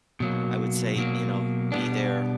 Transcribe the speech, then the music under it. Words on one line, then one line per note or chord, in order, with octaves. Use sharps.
I would say, you know, be there,
B2 F#3 A#3
B2 F#3 A#3
B2 G3 B3 D4